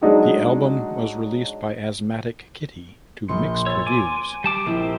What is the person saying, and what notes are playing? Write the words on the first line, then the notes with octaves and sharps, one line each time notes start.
The album was released by Asthmatic Kitty to mixed reviews.
F#3 G#3 D4 D#4 F#4 G#4
A#1 C6 C#7
C#5 E6 A6
G#5 D6
G3 A5 D6
A#1 A#3 C4 E4 G4